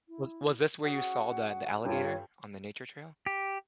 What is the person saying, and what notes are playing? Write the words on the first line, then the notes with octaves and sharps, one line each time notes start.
Was was this where you saw the the alligator on the nature trail?
E4
C#4 F#4 G#4 F#5
G2 F4 G4 A4 C#5
G4